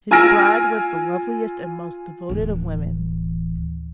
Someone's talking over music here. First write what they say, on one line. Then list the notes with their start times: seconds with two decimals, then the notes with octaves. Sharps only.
His bride was the loveliest and most devoted of women.
0.11 F4 G#5 E6 F6 A#6 D7
2.29 D1 E3